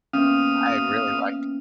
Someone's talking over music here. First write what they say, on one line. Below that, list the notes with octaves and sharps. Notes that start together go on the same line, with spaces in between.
I really like
A#3 B3 C#4 F5 D#6